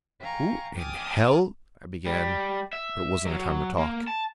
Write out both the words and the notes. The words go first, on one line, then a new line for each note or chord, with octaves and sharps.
"Who in Hell ..." I began; but it wasn't a time to talk.
F5 G5 G#5 A#5 C#6
G5 G#5 D6 D#6 F6 A6
G3
E5
F#3
A#3
A5